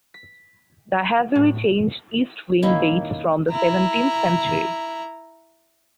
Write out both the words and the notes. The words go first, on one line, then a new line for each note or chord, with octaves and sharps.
The heavily changed east wing dates from the seventeenth century.
B6
A2
D#3 A#3 C#4 E4
E4 A#5